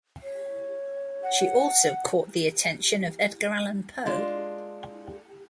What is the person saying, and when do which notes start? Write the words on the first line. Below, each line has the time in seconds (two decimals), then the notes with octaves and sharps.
She also caught the attention of Edgar Allan Poe.
0.23 C#5
1.23 F#5
4.06 G#3 D4 F4